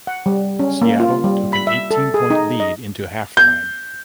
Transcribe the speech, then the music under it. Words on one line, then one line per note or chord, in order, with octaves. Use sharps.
Seattle took an eighteen point lead into halftime.
F#5
G3
C#4
A#3
F4
G3
B5
E5
A4
G#4
D#4
D#5
G6